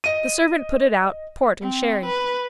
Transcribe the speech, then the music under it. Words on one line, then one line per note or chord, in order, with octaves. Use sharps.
The servant put it out, port and sherry.
D#5 D#7
C4
B4